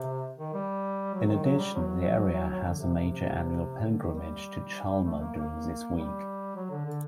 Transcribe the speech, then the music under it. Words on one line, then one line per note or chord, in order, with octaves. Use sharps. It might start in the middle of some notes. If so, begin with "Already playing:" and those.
In addition, the area has a major annual pilgrimage to Chalma during this week.
Already playing: C3
D#3
G3
F#3
D#3
F#3
G3
F#3
D3
C3
C3
C3
D3
D#3
G3
A3
A#3
A#3
G3
F#3
D3
D3